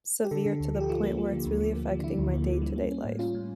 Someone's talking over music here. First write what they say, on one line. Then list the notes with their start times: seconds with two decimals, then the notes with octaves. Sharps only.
severe to the point where it's really affecting my day-to-day life.
0.24 G4
0.31 D3 A4
0.46 D3
0.60 D2
0.74 F3
0.80 G4
0.89 F3 F4
1.03 A#3
1.17 F3
1.32 D3
1.46 D2
1.60 F3
1.76 A#3
1.90 F3
1.99 D4
2.04 F3 E4
2.18 D2
2.33 A#3
2.47 A#3
2.62 G3
2.76 A#3
2.90 C#4
3.05 A2
3.19 C#4 F4
3.35 A2